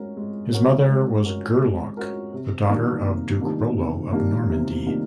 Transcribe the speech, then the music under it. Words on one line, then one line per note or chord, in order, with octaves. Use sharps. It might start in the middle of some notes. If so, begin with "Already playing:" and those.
His mother was Gerloc, the daughter of Duke Rollo of Normandy.
Already playing: G#3 C#4 F#4 A#4
G#3
C#4 F#4 A#4
G#3
C#4 F#4 A#4
G#3
C#4 F#4 A#4
C3
D#3 G3 A#3 D4
C3
D#3 G3 A#3 D4
C3
D#3 G3 A#3 D4
C3
D#3 G3 A#3 D4